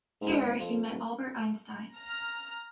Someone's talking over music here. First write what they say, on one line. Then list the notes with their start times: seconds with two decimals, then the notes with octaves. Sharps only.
Here he met Albert Einstein.
0.21 G#2
0.40 G#1
0.59 F2
0.88 D#1
1.94 A#5 F6